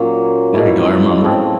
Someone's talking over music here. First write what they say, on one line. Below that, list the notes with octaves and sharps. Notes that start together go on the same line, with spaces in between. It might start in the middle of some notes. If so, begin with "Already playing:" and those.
there you go. I remember.
Already playing: A#2 F#3 A#3 C#4
B2 G#3 C#4 E4
A2 F3 A3 C4